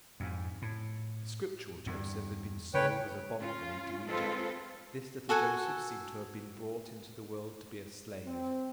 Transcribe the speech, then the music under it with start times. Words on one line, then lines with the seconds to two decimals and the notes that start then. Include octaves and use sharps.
The scriptural Joseph had been sold as a bondman into Egypt; this little Joseph seemed to have been brought into the world to be a slave.
0.20 F2 G#2
0.62 A2
1.86 E2 G2
2.74 C#3 B4 C#5 G5
3.40 C#4 F4
4.07 G#3 C4 F4 A4 B4 C5
5.29 F#4 A4 F#5 G#5
8.26 C4